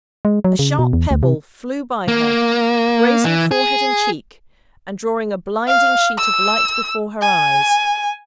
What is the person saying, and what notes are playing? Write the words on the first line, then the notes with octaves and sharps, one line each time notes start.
A sharp pebble flew by her, grazing forehead and cheek, and drawing a blinding sheet of light before her eyes.
G#3
F#3
C#3
B2
E2
D2
C3
A#3
E3
G#4
F5
E6
G#5